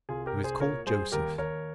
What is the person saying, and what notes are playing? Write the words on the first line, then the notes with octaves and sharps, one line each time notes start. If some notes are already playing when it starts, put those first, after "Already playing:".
He was called Joseph.
C2 F4 G#4
G4 A#4
C2
G#4 C5
A#2 A#4 C#5
G3 G#4 C5
D#2 G4 A#4
D#2 A#4 C#5